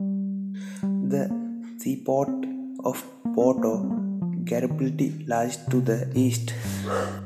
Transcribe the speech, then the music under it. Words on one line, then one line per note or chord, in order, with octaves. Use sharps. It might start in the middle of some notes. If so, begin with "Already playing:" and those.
The seaport of Porto Garibaldi lies to the east.
Already playing: G3
G3
A#3
C4
A#3
C4
A#3
G3
C4
A#3
G3
F3
D#3
C3
A#2
G2